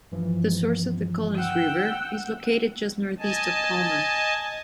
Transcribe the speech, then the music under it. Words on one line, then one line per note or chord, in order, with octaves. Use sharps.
The source of the Collins River is located just northeast of Palmer.
G2 E3 F3
F#5 G5 E6
D#5 G#5 A5